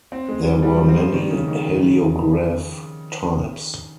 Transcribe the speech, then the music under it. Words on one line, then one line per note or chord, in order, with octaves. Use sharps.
There were many heliograph types.
C4
G#3
G3
G3
F3
C4
F3
D#3
C#3
D#3